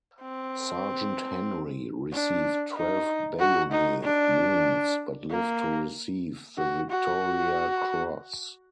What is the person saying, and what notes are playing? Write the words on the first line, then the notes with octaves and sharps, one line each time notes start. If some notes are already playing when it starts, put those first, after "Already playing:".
Sergeant Henry received twelve bayonet wounds but lived to receive the Victoria Cross.
C4
D4
D#4
F#4
D#4
D4
A#3
F#4
F#4